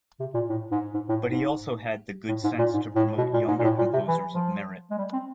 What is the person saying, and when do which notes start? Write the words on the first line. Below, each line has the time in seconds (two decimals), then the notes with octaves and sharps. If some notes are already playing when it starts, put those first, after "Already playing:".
But he also had the good sense to promote younger composers of merit.
0.20 C3
0.34 A#2
0.49 A2
0.71 G#2
0.94 G#2
1.09 A2
1.24 G#2
2.28 A2
2.44 G#2
2.59 A#2
2.74 G#2
2.95 A2
3.18 B2
3.33 A#2
3.48 G#2
3.59 A#2
3.64 A2
3.78 A#2
3.93 C3
4.08 E3
4.31 F3
4.90 G#3
4.98 G3
5.13 C4